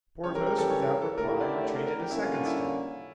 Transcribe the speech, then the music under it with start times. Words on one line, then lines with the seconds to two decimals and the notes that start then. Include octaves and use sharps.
Porthos, without reply, retreated a second step.
0.24 E3 G3 C#4 G4 C#5
0.35 A#4
0.47 A#4
0.58 A4
0.70 C#5
0.86 A#4
1.02 A4
1.17 D3 A3 E4 G4 A#4
1.28 A#4
1.41 D5
1.64 D5
1.76 A#4
1.86 A#4
1.99 G4
2.10 D3 G3 A#3 C#4 E4
2.21 F4
2.34 F4
2.45 E4